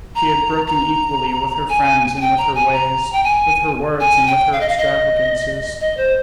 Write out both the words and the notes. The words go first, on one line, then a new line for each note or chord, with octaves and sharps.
She had broken equally with her friends and with her ways, with her words and with her extravagances.
A#5
A#5
G#5
G#5
G5
A#5
G#5
A#5
G5
G#5
G#5
G5
F5
D#5
F5
D#5
D#5
C5